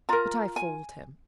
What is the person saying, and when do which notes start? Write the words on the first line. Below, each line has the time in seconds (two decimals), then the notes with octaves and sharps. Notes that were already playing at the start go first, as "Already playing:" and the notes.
But I fooled him.
0.09 F4 A#4 A#5
0.56 G#5